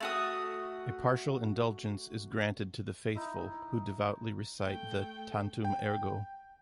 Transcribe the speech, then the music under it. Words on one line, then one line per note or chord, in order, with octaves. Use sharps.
A partial indulgence is granted to the faithful, who devoutly recite the "Tantum Ergo".
A3 F#4 D#6
D#4 E4 D#5
A3 G5
G5